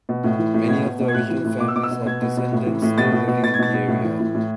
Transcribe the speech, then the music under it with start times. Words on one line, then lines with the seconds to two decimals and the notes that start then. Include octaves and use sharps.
Many of the original families have descendants still living in the area.
0.09 B2
0.24 A2
0.39 E3
0.54 A2
0.69 B2 G#6
0.85 B2
1.00 B2
1.08 G#6
1.14 A2 F#6
1.31 E3
1.45 A2
1.60 B2 D6
1.68 E6
1.76 B2 D6
1.83 E6
1.91 B2
2.06 B2 G#6
2.22 B2
2.37 B2
2.52 A2
2.66 E3
2.82 A2
2.98 B2 A6
3.12 B2
3.28 B2
3.43 B2 A6
3.54 G#6
3.59 B2 A6
3.74 B2
3.88 A2
4.04 E3
4.20 A2
4.35 A2